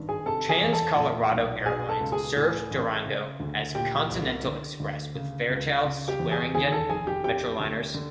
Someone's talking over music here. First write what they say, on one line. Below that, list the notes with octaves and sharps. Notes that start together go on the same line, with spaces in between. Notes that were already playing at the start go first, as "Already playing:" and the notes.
Trans-Colorado Airlines served Durango as Continental Express with Fairchild Swearingen Metroliners.
Already playing: G#1 G2
G#4 G#5
C3 A4 A5
G#4 G#5
E2
A4 A5
A#2
B1
B2 G#4 G#5
A4 A5
C#2
G#4 G#5
A2
A1
C#3
D2
A#2 G4 G5
C2
D3
D2
C#3
C#2
C#3
G4 G5
E2
G#4 G#5
D#2 G#4 G#5
A4 A5
F1 G#4 G#5
G4 G5
C3 G4 G5
D2
D3